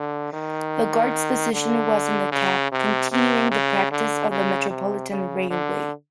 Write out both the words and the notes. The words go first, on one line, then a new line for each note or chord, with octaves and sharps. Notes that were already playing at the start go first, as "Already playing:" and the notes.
The guard's position was in the cab, continuing the practice of the Metropolitan Railway.
Already playing: D3
D#3
D3
C#3
C3
C3
C#3
D3
C#3
C3
C#3
D3